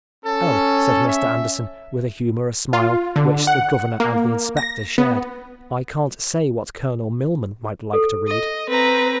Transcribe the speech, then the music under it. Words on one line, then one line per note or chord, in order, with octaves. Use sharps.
"Oh," said Mr. Anderson, with a humorous smile, which the Governor and the Inspector shared, "I can't say what Colonel Milman might like to read."
C#4 A4
E5
F4
D3
F#5
A#3
A#6
B3
A4
D#5
C4 B4 A#5